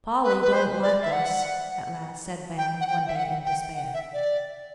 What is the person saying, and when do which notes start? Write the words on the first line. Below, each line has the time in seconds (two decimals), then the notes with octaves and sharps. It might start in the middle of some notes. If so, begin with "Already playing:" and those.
"Polly don't like us," at last said Van one day in despair.
0.24 B4
0.42 B4
0.53 C5
0.83 D5
1.02 E5
1.12 F#5
2.57 G5
2.81 F#5
2.87 G5
3.07 E5
3.16 F#5
3.45 G5
3.75 F#5
3.94 E5
4.13 D5